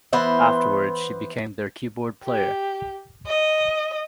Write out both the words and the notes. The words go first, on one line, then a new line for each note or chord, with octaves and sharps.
Afterwards, she became their keyboard player.
E3 B3 C5 E5
G4
D#5